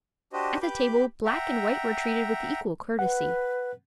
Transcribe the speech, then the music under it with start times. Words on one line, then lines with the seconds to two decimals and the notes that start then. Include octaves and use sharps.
At the table black and white were treated with equal courtesy.
0.33 D4 F#4 G4 C5 D#5
0.62 G4 B4 B5 D6 G6
1.25 E5 F#5 G5 A#5
2.99 B4 F#5